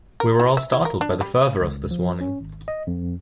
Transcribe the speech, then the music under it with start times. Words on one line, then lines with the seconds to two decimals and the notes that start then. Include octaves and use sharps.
We were all startled by the fervour of this warning.
0.20 A#4
0.40 E3
0.57 E5
0.72 E4
0.85 A#4
1.01 D4
1.21 G3
1.61 C#2
1.91 F3
2.21 C#4
2.41 G#1
2.68 D#5
2.87 F2